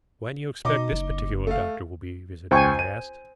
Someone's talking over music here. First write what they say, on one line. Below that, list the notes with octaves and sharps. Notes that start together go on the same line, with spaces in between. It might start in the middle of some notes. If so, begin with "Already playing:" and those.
"Why do you expect this particular doctor will be visited?" I asked.
B2 D#4 D#5 D6
F#1
A3 F5
C#2 C5 G5 G#5 C#6
D#7